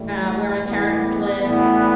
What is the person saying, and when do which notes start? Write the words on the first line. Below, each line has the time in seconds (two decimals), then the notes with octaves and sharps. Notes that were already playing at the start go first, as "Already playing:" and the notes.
um, where my parents live,
Already playing: A2 E3 G3 A3
0.64 A2 E3 G3 B3
1.03 B3
1.40 A2 E3 G3 B3